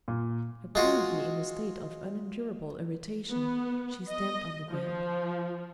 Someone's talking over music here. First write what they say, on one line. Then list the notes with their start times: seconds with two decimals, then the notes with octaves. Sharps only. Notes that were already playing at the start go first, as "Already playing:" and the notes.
Apparently in a state of unendurable irritation, she stamped on the ground.
0.08 A#2
0.75 G#3 F4 F#4
3.31 B3
4.08 D#5
4.69 F3